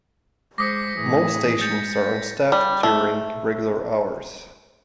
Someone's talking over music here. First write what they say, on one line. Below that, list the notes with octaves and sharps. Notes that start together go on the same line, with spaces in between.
Most stations are unstaffed during regular hours.
G#3 C5 D6 D#6 A#6 B6 C#7
A2 E3 G#4
G#3 G6 A6 C#7
G3
A3